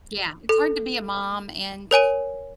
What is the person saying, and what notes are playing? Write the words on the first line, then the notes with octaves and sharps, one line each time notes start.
Yeah, it's hard to be a mom and
A4
A#4 C#5 G#5 D#7